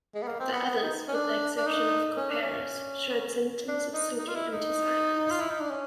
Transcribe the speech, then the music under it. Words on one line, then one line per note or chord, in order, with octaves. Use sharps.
The others, with the exception of Couperus, showed symptoms of sinking into silence.
G#3
B3
A#3
C4
B3
B3
D#4
C#4
D4
D4
D#4
C#4
D4
C#4
D4
D#4
D#4
F4
E4
D#4
F4
E4
D#4
D4
C#4